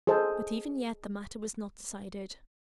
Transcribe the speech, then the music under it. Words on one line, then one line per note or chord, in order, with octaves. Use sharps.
But even yet the matter was not decided.
G#4 A4 C5 D#5 A5